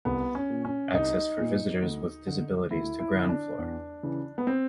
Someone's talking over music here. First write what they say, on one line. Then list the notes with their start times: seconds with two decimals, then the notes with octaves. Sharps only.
Access for visitors with disabilities to ground floor.
0.05 C2 B3
0.35 C#4
0.50 A#2
0.65 C#4
0.94 C2 D#4
1.38 A#2
1.82 D2
2.27 D3
2.70 D2 E4
2.99 E4
3.14 D3
3.29 D4
3.59 E2
4.03 C#3 E3
4.38 B3
4.47 C4